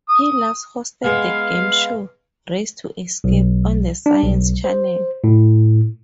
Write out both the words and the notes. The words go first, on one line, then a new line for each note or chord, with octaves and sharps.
He last hosted the game show "Race to Escape" on the Science Channel.
D#6
G#3 B3 G#4 F5
B1
D4
B1
C5
A2